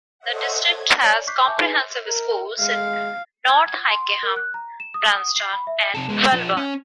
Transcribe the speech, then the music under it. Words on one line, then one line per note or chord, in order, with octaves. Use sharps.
The district has comprehensive schools in North Hykeham, Branston and Welbourn.
A4 C5 C#5 D#5 E5 F#5
G#6
C#5 D5 F#7
C#6 D6 F#6 G6 B6 C7
E5 G#5 A5 C#6 D6 G6
D#4 G#4 B4 G#5 C7 C#7
A#4
G#3 F5
G#6
G#6
C6
A#4
F#6
A#5
E7
D#6
D#6
C7
B5
E5
C3 A4
G#3 B3
F3 D4
C#4